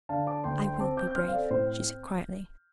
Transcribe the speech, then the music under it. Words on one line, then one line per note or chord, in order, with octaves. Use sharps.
"I will be brave," she said quietly.
D3 F5 A5
A5 D6
D2 G5 C6
G5 C6
C6
C4 A5 D6
D6 G6
G6
C4 C6 F6
F5
A4 D5
A2 C5